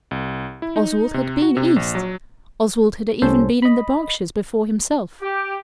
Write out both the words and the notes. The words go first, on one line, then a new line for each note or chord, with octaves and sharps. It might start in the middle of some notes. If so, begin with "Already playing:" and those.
Oswald had been east, Oswald had even been in the Berkshires before himself.
C2
E4
D#4
C3
F#4
C3
A#1
F#3
C2 A2 C#4 A4 C5
D#5 B5
G4